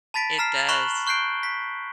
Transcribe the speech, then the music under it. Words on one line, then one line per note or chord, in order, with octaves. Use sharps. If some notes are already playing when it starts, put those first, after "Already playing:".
it does.
A5 B5 A6 B6 D7
A#5 F6 C7
B5 C#6 F#6 E7 F#7 G7
C#6 F#6 G6 C7 D7 G7
B6